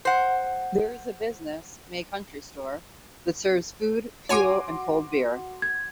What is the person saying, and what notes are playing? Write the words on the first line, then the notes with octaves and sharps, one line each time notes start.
There is a business May Country Store that serves food fuel and cold beer.
C5 F#5
F#4 C#5 G#5 C6 D6
G#6